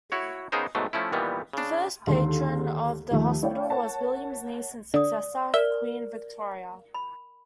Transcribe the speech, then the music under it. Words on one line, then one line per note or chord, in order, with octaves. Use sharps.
The first patron of the hospital was William's niece and successor, Queen Victoria.
E4 F#4 C#5
C#3 B3 D#4 G#4 A#4 C5
G#2 B2 F#3 A3
F3 A3 C#4 E4
A#2 D#3 E3 G3 B3
C#3 D4
D#2 D3 D#3 G#3 A4 C6
D#2 D#3 F3 A3
A3 E4 C#5 D5 F5 G5
A#4 C#5 F#5 A5
D3 D5 D#6
A#4 D5 E5
B5